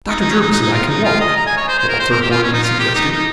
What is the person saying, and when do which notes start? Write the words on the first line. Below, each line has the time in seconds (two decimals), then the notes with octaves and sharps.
"Dr. Jervis and I can walk," Walter Hornby suggested.
0.09 D#4
0.20 D#4
0.31 C#4
0.41 D#4
0.51 D#4
0.62 D#4
0.73 F4
0.88 D#4
1.04 F4
1.20 D#5
1.36 A#5
1.47 G#5
1.57 C#5
1.69 C5
1.79 C5
1.89 A#4
2.00 C5
2.11 A#4
2.21 G4
2.31 F4
2.43 C#4
2.53 D#4
2.63 F4
2.79 G4
2.95 D#4
3.11 D#4